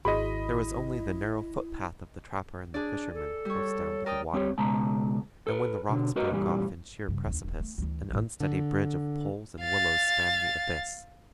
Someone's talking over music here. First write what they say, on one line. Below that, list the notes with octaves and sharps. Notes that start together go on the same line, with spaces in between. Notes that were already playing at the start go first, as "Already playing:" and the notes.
There was only the narrow footpath of the trapper and the fisherman close down to the water; and when the rocks broke off in sheer precipice, an unsteady bridge of poles and willows spanned the abyss.
G#1 E4 F#4 G#4 D#5 B5
D4 G#4 D5
A4
G3 C#5
A#4 D5 G5 D#6
G3 C4 G4 C#5
C#2 B2 G#3 A5 A#5
A4 B4
B2 D3
F#4 A#4 B4 D#5
F#2 A#2 E3 G3
G2 C#3
D#2 D4
D#1 D#3
A3
D2 E3
A1 A2
D3
F5 A6